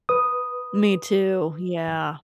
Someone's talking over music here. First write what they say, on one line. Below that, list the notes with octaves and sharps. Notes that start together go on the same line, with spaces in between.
Me too, yeah.
B4 D#6